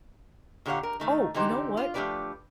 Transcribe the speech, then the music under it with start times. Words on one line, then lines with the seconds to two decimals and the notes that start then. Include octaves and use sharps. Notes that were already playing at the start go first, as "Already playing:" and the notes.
Oh, you know what?
0.66 A#2 D3 G4 C#5 F5 F#5
0.83 A#4
1.00 D#3 A3 D#4
1.34 D3 E3 D#4 G4 C5
1.77 F4
1.94 F3 A3 D4 G4 B4 D5